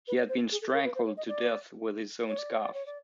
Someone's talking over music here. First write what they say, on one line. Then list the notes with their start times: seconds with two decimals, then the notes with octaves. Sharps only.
He had been strangled to death with his own scarf.
0.08 B4
0.18 C#5
0.29 C5
0.52 G#4
0.62 A4
0.73 A#4
0.85 B4
0.95 C5
1.06 C#5
1.17 D#5
1.29 D5
2.28 C#5
2.38 D5
2.50 C#5
2.62 D5
2.74 C#5
2.86 D5